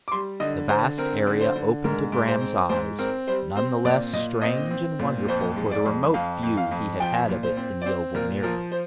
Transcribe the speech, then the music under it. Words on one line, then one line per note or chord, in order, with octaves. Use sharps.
The vast area opened to Graham's eyes, none the less strange and wonderful for the remote view he had had of it in the oval mirror.
D6
G3 C6
D3 D#5
D3 C5
C4 A#4
D3
C5
D3
G#2 A#4
G#2
C5
C4
G#2 C5
C4 A#4
G3 C5
C4 C5
A#2 D5
A#2 D#5
C4 D#5
C4
A#2
F2 C5
G#3
D5
F2
F2 F5
F2
F5
F2
F3 G5
A#2
C5
C4
D5
C4 C5
A#2 A#4
F3 A#4
C5